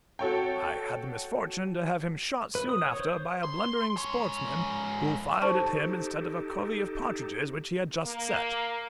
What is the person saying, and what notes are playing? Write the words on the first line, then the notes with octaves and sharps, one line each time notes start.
I had the misfortune to have him shot soon after by a blundering sportsman, who fired at him instead of a covey of partridges which he had just set.
F#4 A4 C#5 G5
B4
D#6
C#5
C5
C6
G#2 C#5
D#4 G4 A4 C5 A5 C#6
A#3